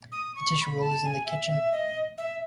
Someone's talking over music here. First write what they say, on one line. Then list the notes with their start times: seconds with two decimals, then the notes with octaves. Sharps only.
The tissue roll is in the kitchen.
0.12 D#6
0.36 C#6
0.58 C#6
0.62 B5
0.81 A5
1.04 G#5
1.26 E5
1.50 E5
1.72 D#5
2.18 E5